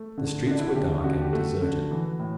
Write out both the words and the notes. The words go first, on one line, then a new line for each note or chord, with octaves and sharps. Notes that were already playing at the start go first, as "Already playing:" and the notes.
The streets were dark and deserted.
Already playing: A3
D3
D3 D4
E4
F#4
D3 G4
D3 F#4
G4
A3 F#4
D3
E3
A2